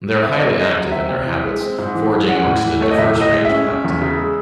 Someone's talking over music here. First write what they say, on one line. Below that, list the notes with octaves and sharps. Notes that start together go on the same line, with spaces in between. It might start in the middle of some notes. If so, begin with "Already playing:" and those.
They are highly active in their habits, foraging amongst a diverse range of habitat.
C4 E5
D#5
F#2 C#5
C#3 D#5
F#3
C4 E5
C3
E3
G#3
C4
G#2
E3
G#3
C#4 F#5
A2
E3
A3 C#5
D#5
A2 E5
A2
D#5
G#3
E5
C#4
C#4
E2
C#3
G#3